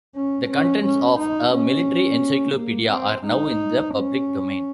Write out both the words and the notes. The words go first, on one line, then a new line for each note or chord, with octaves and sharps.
The contents of "A Military Encyclopedia" are now in the public domain.
C#4
C#4
C#4
D#4
C#4
A#3
C4
D#4
C#4